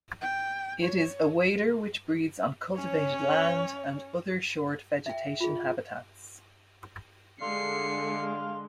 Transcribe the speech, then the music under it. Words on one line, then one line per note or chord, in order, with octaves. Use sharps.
It is a wader which breeds on cultivated land and other short vegetation habitats.
G5
C#5
C#4 C#5
E5 G5
F4 G#4
G2 D3 G#3 D4 F5 C6 C7 C#7